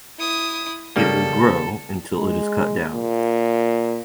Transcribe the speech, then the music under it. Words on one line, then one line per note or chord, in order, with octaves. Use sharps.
It will grow until it is cut down.
E4 D#6
C#3 G3 A#3 A4
G#3
A#2